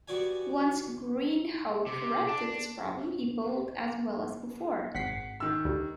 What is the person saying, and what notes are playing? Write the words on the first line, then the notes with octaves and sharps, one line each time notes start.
Once Greenhough corrected this problem he bowled as well as before.
G3 B3 F#4 D5 G#5
C3 D6
D4
G#1 F#5 B6 C7
D#3 E6
D2 G3